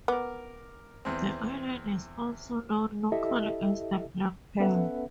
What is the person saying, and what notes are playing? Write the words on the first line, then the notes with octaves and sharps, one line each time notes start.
The island is also known locally as the "black pearl".
B3 A#4 D6
E2 C4
E4 G4 A4 D#5 E5
B3 C#4 A4 B4 E5 F#5